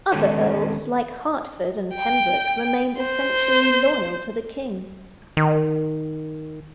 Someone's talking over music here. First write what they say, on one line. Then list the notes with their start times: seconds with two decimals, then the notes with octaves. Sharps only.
Other earls, like Hertford and Pembroke, remained essentially loyal to the king.
0.12 D#3 G#3 B3 C#4 A4 C#5
1.97 G5
2.99 C5
5.37 D#3